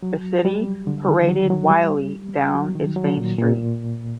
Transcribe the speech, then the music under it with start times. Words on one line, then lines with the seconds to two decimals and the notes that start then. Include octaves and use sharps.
The city paraded Wiley down its Main Street.
0.02 F#3
0.45 G3
0.87 D3
1.08 D#3
1.29 F#3
1.50 F#3
1.70 G3
2.55 F#3
2.75 D#3
2.96 F#3
3.17 A#2
3.39 A#2